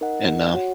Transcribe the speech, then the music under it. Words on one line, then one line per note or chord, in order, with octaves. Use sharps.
and, um,
D#4 A#4 D#5 F#5
F#4 C#5 F#5